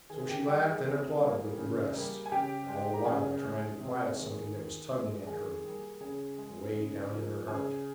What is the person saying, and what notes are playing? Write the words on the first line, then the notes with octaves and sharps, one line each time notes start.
So she laughed and applauded with the rest, all the while trying to quiet something that was tugging at her away down in her heart.
D#3 G#4 G#5
G4 G5
G3 A#3 G4 G5
G#4 G#5
C3
G3 A#3
C#3
G3 A#3
G#5
C#3 G4 G5
G#3
A#5
C#3 G#4 G#5
G#3
C3
D#3 G#3
D#3
G#3
D#3 G#4 G#5
G3 A#3
C#3 G#4 G#5
G#3
C#3
F3 A#3
C#3 G#4 G#5